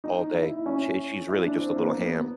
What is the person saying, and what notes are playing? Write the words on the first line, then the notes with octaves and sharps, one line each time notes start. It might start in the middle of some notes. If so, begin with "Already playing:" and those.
all day, sh she's really just a little ham.
D#4
E4
C#4
E4
D4
C4
A#3
B3
B3